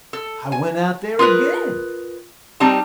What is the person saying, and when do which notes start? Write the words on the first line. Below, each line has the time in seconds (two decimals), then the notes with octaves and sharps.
I went out there again.
0.13 A4
0.52 G#5
1.19 F4 G#4 A#4 B4
2.60 G3 C4 D#4 A5